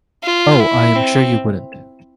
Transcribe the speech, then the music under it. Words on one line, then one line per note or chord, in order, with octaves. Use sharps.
Oh, I am sure you wouldn’t.
F4
E4
C4